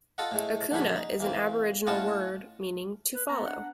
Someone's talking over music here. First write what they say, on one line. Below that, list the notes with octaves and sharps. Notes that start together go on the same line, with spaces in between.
Akuna is an Aboriginal word meaning "to follow".
F4 A4 D#5 F#5
A2 G#3 A3
A#1 D3 C#4 D4 B5
D#4
E3 A#3 C4
A2 C#4 F4 D#5 F#5 A5
B4
B3 A#5
D4 F#5